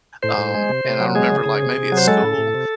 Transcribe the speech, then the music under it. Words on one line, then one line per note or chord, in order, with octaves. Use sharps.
Um, and I remember, like, maybe at school,
A2 C5
A2
G#3
C3
C3
F#3
G#3 G#4
C#3
C#3
C3
C3
F#3
C5
G#3 A4
A2
A2
C3